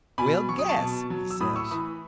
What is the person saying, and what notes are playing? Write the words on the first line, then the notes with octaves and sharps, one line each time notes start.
"Well, guess," he says.
B2 G#5 B5
F#3 C#6
D#6
A5 C#6
B2
F#3
E6
A2 B5 D#6
C#6 E6
E3 B5 D#6